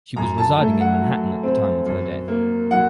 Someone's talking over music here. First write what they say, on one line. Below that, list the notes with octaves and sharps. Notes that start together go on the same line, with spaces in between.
She was residing in Manhattan at the time of her death.
F#2 A#5
A5
A3
F#5
F#3
C4
F#2
A#3
F#3 F#5